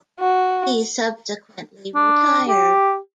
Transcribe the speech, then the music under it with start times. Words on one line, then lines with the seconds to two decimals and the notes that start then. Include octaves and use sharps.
He subsequently retired.
0.20 F#4
1.95 D4
2.48 G4